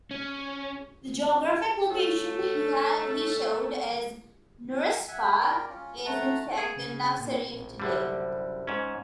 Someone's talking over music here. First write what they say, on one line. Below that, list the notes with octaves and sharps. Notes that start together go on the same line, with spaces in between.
The geographic location he showed as Narispa, is in fact the Navsari of today.
C#4
A3 C#4 A4
E5 F#5 G#5
A#4 D5 G5
C#4 F4
A3 F#5 A5 A#5
G#4
C#3
A#2
A#1
C2 F#2 D3 G3
G#2 C#4